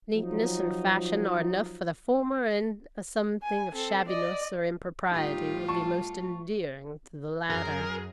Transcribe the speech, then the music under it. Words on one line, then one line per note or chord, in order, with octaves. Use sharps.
Neatness and fashion are enough for the former, and a something of shabbiness or impropriety will be most endearing to the latter.
F3 F#3 D#4
G#5
C4 A4
D5 D#5
A2 G3 D#4 F4 G4
A5 C#6
F#2 F#4 G#4 A#4